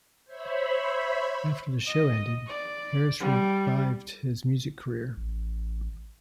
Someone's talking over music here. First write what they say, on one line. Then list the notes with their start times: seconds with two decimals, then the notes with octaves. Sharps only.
After the show ended, Harris revived his music career.
0.25 C5 C#5 E5 B5
1.87 D#5
2.47 D5
3.20 G3
5.17 A1